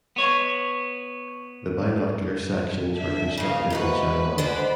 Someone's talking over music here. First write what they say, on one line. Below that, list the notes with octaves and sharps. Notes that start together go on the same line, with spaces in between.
The binocular sections were constructed in Chai Wan.
B3 C#5
D4 E5
C#3 A#3 D#5 F5
G#2 E3 F#4 B4
D3 G#3 B3 C5 D5 B5